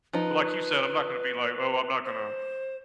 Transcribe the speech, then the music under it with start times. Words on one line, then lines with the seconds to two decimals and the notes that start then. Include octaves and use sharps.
but like you said, I'm not gonna be like, "Oh, I'm not gonna
0.13 F3 D#4 B4
2.05 C5